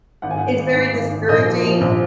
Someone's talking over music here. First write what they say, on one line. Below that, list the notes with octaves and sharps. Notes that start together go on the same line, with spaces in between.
It's very discouraging.
G#1 F#5
G#5
G#1 F#5
G#1
G#2
G#1
G#1
A#1 D#5
F3
F3
A#1